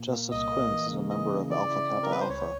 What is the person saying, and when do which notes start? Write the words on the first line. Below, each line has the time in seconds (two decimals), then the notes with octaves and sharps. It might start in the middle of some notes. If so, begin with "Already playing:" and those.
Justice Quince is a member of Alpha Kappa Alpha.
Already playing: A#2 A#3
0.12 A#3
0.32 C2 D#5
0.52 A#3
0.71 E3
0.91 C#3
1.10 E3 D#5
1.30 C#3
1.50 E4 D5
1.70 E4
1.90 C4
2.03 A#4
2.10 G3 B4
2.20 C5
2.29 C#2 C#5